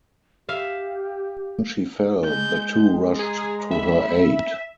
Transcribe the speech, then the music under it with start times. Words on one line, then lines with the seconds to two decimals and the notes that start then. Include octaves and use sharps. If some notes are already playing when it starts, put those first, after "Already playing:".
When she fell the two rushed to her aid.
0.49 G4 E5 F5
2.24 G#3 G6
3.19 G#4 A#5
3.71 E5 B5